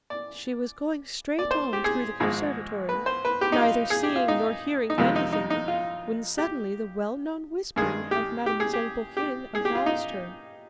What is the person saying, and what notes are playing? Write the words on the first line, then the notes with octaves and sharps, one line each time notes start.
She was going straight on through the conservatory, neither seeing nor hearing anything, when suddenly the well-known whispering of Mademoiselle Bourienne aroused her.
D5
D5
C5
G4
G#4
G#1 G#2 F3 G#3 G#4
B4
C5
B4
G4
D#4
F4
G#4
G4
F4
D#4
D#4
F2 C3 D#3 G#3 F4
D#4
D#4
D#4
F4
G4
G2 D#3 G#3 G#4
G4
G4
G#4
G4
G4
G#4
G4
F4
D#4